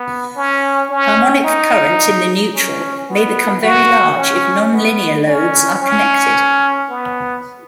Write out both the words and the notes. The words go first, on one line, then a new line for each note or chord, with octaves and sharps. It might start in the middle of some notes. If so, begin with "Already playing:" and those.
Harmonic current in the neutral may become very large if non-linear loads are connected.
Already playing: B3
C#4
C#4
D#4
C#4
B3
F#4
C#4
B3
C#4
C#4
B3